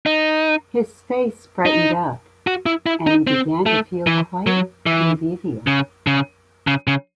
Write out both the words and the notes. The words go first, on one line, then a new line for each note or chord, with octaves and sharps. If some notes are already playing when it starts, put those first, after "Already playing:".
His face brightened up, and he began to feel quite convivial.
D#4
D#4
F#4
E4
E4
D#4
C4
A3
E3
F#3
E3
C#3
C#3
C#3
C#3